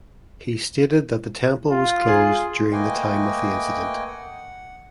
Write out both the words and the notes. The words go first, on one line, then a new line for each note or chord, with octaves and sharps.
He stated that the temple was closed during the time of the incident.
F4
G#4
A3 A#3 B4 D#5 G5 G#5
F#5